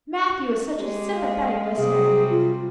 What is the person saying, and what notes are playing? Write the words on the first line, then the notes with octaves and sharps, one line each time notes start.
Matthew is such a sympathetic listener.
G#3 G4
F5
C3 F#3 G3 G#4
F4